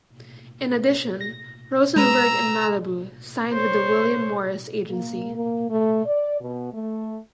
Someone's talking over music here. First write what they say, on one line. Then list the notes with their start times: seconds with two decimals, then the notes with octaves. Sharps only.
In addition, Rosenberg and Malibu signed with the William Morris Agency.
1.21 A#6
1.96 G#3 B4 A#5 E6
3.53 C5 C#5
4.90 A#3
5.35 A#3
5.70 A3
6.06 D5
6.41 B2
6.73 A3